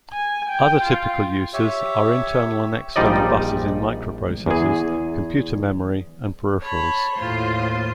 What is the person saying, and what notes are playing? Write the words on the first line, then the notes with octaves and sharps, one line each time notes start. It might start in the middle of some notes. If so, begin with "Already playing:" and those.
Other typical uses are internal and external buses in microprocessors, computer memory, and peripherals.
G#5
G5
F4
G4 C#5 E5
A#1 F3 G3 D#4 D5 D#5
E2 G#4
C#5 A5 B5
D#2 A2 F4 C5 C6